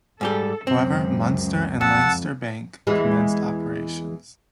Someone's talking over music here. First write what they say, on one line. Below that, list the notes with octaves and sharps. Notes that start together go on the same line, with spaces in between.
However, Munster and Leinster Bank commenced operations.
G#2 G3 G4 A4
C#2 F#2 C4
F2 F#5 A5 E6
E2 E3 G#3